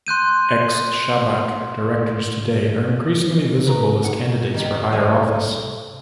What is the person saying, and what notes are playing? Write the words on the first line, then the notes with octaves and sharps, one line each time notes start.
Ex-Shabak directors today are increasingly visible as candidates for higher office.
C6 F#6 G6 D#7
B4 A#5
F#5
C2 D#3 D#4 G4
C2 A4 D5 G#5